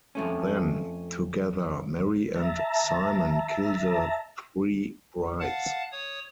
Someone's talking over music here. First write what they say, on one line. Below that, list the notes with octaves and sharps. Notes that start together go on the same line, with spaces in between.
Then, together Mary and Simon kill the three brides.
F2 A3 C#4
E5 A5 A#5
F5 F#5 A5
C#5 D#6